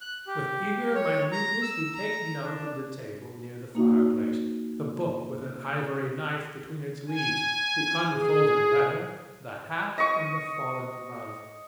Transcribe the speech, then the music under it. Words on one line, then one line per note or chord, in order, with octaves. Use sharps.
With eager minuteness you take note of the table near the fireplace, the book with an ivory knife between its leaves, the unfolded letter, the hat and the fallen glove.
F#6
G4
C#5
A#5
E6
A#5
D4
A#3 D#4 F#4
G#5
G#4
D#5 C#6